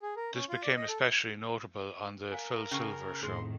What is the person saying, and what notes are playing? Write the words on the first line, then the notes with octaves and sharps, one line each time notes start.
This became especially notable on "The Phil Silvers Show".
G#4
A#4
C#4
F4
D5
D#5
A4
A#4 F5 G#5
C#3 C#4 C#6
F2 A2 D#3 G#4 C6